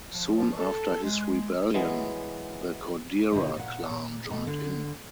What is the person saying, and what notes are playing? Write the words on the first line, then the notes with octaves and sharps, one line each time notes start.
Soon after his rebellion, the Kodera clan joined in.
F3
F3
A4
G#3
E3 F#3 G#3 B3
B2 D3 E4 G4 D#5
A#2 F#5
A#2
B2 A3
D3